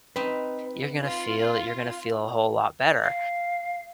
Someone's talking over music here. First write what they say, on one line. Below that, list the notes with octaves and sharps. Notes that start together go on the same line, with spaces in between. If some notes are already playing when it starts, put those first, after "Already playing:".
you're gonna feel you're gonna feel a whole lot better,"
C4 D#4 B4
F4
F5